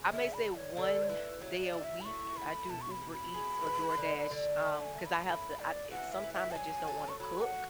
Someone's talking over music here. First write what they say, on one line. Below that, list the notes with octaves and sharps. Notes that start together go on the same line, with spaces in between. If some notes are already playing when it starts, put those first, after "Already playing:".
I may say one day a week, I do Uber Eats or DoorDash, um, 'cause I have to I sometimes I just don't wanna cook
Already playing: C#3
D3 E5
B5
D3
C#5
D3 A4
C#5
E4 B4
F#3 C#5
D5
E4
E5
B5
A3 C#6
A3 B5
B2 A5
C#6
B5
B2
B5
G#3
B4
D3
D3
A3 A5
A5
G#5
A3
A5
B5
A2 B5
A2 D5
E3 F#5
E5
B4
E5
A5
F#3 G#5
A4
C#6
F#3 B5
F#5
F#4